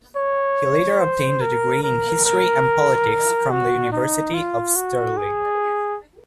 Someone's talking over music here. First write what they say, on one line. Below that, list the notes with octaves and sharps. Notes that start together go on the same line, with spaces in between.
He later obtained a degree in History and Politics from the University of Stirling.
C#5
C5
A#4
A#4
A#4
F#4
D#4
F4
F#4
G#4